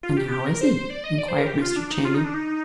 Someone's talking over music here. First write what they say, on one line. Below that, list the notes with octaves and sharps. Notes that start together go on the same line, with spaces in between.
"And how is he?" inquired Mr. Channing.
F4
G4
G4
A#4
C5
D5
D#5
D5
C5
A#4
G4
F4
D4
D#4
F4
D#4
D4
D#4